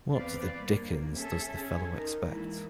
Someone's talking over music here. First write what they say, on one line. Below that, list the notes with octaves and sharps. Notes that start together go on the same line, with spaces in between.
What the dickens does the fellow expect?
E2 C4 B4 D5 F5
G2 A#3
C#4 G#4 A4 E5
C#4 G#4
D#4 A#4
E3 G#3 A#3 E4